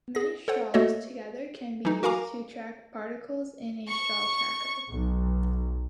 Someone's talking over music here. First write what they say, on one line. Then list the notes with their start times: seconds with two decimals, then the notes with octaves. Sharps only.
Many straws together can be used to track particles in a straw tracker.
0.15 G#4 A#6
0.48 A4 C5 C#5 F#5
0.74 A3 A#3 F#4 A4 C#5 D#5
1.85 E3 F#3 D#4
2.03 F#4 A#4 F5 G#5 A#5 D6
3.89 C#6
4.89 B1